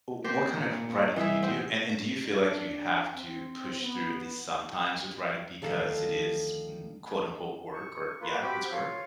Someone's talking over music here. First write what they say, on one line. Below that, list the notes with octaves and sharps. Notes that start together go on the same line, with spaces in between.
w what kind of writing do you do? An and do you feel like you have to push through, at least sometimes with writing, because it is, mm, quote, unquote, "work" or yeah, it's work?
A#3 C4 G4 C5
A#2
D#5
C2 E3 G#4 E5
C4 F#5 E6 G6
D4
C4
B3
D2 D#3 F3 A4 F5 A5
C#6
A#3 F4 B4
C4 F#4 G4 B5 D6
F4 C#5 F5